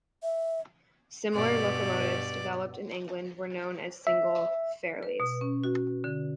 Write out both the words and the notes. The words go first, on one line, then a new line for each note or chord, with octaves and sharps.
Similar locomotives developed in England were known as Single Fairlies.
E5
G2 B2 D5
E5
B4
B2
C#4
F#4
D3